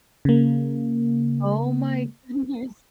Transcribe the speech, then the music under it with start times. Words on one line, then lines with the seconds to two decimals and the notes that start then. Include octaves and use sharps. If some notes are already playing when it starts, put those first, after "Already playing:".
Oh my goodness.
0.25 C#3 A#3